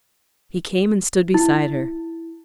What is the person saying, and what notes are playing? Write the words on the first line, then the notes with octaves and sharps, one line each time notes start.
He came and stood beside her.
E4